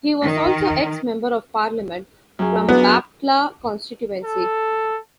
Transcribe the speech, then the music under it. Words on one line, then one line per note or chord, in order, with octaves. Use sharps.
He was also Ex-Member of Parliament from Bapatla constituency.
D#3
F#2 G#4
B3 D4 F#4
A4